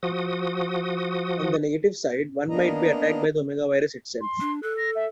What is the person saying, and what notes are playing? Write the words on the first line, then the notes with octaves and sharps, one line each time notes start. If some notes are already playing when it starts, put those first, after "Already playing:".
On the negative side, one might be attacked by the Omega Virus itself.
F3 F#4 D#6
A#3 B3 D4 D#5 A#5
C6
D4
A4 F#6
A#6
E5